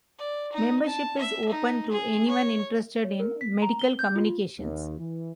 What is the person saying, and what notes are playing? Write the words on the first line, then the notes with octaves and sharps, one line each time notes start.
Membership is open to anyone interested in medical communications.
D5
D#4
A5
E5
D#4
G#4
C#5
C#5
A#4
B6
A#5
G7
G6
F4
D#2
E3